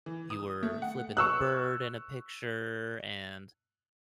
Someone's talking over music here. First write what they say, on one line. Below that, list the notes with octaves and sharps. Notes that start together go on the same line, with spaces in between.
you were flipping the bird in a picture and,
E3
D#6
A3
F#5
C#6 E6 F#6